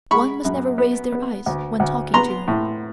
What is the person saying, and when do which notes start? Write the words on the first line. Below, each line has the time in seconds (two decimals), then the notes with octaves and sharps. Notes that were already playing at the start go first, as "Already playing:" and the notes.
One must never raise their eyes when talking to her.
0.11 G#3 B5 C#6
0.45 F#2
0.78 B3
1.12 B3
1.46 D2
1.80 D2
2.14 B3 A#5 C6
2.48 A2